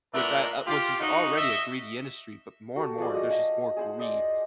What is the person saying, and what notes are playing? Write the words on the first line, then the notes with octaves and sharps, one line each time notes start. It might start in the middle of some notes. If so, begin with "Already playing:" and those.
Which I, uh, was just already a greedy industry, but more and more there's just more greed,
A#2 E3 A3 B3 D4 A#4
F4 G4
D#4 F#4
D#5 E5
F#4 G4 A4
F3 G#3 G#4 D5
F#4 D5 D#5
D#5 F5 F#5 A5
G#4 C5 F#5
D5 D#5 C6